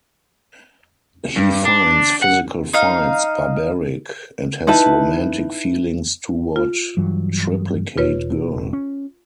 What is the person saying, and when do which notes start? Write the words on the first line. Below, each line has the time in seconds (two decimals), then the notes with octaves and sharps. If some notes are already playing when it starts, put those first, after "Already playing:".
He finds physical fights barbaric and has romantic feelings toward Triplicate Girl.
1.36 G2
1.65 D4
2.22 F#5
2.73 D#4 F5
4.67 D#4 E4 B4 A5
6.56 F4
6.97 G2 E3 F#3
7.97 E1 F4 B4 C#5
8.73 C#4